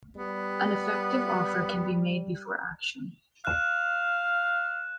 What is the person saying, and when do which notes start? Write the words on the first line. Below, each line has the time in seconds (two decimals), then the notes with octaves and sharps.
An effective offer can be made before action.
0.17 G3 B3
3.45 F5 F#6 E7